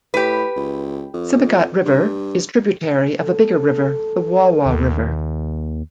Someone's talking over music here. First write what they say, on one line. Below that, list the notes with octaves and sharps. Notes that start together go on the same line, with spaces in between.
Sibagat River is tributary of a bigger river, the Wawa river.
A2 G4 B4
C#2
F2
G2
A4
D#2